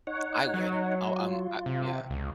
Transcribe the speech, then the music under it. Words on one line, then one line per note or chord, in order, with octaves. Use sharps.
I would. I'll, um, I yeah.
D#4 C#5 F#5
F#3
F4
C3
C#2